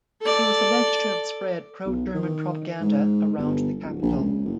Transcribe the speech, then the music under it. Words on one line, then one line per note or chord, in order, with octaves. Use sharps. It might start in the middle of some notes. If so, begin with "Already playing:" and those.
He was alleged to have spread pro-German propaganda around the capital.
A4 D5
B1
D#3
G#2
G1
D1
A#1
C#2
F#1